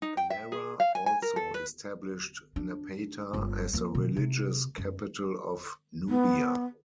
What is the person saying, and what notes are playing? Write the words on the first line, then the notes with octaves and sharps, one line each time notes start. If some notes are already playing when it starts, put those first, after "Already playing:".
Alara also established Napata as the religious capital of Nubia.
D#4
G5
E5
G#4
F5
G#5
G#5
A#4
A4
B4
D4
G1 F4
F3 A#3
B2 D#3
C3
F#2
B3